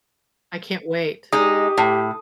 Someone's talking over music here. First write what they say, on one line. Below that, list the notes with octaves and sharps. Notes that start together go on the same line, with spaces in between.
I can't wait,
G#3 D#4 G4 D#6
A2